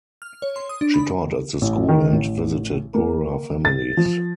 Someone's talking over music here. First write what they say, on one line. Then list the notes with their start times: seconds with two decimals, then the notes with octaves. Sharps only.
She taught at the school and visited poorer families.
0.22 F6
0.42 C#5
0.56 C6
0.69 D#6
0.81 D4
0.94 B5
1.61 A1
1.89 D#3
2.12 A1
2.95 A#3
3.65 A6
3.97 F3